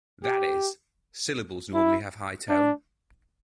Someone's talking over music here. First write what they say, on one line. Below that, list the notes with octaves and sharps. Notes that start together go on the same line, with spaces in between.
That is, syllables normally have high tone.
G4
E4
D4